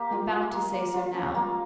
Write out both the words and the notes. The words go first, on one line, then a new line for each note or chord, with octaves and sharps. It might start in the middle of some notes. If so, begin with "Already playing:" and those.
I am bound to say so now.
Already playing: A#3 G4 C5
F4
F4
A#3
A#3
F4
C#4
A#3